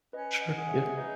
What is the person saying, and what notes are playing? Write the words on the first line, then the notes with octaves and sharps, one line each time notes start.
Sure, yeah.
C#4 B4 D#5
D#5 F#5
G#4 F#5
C#5 E5
D#4 B4 D#5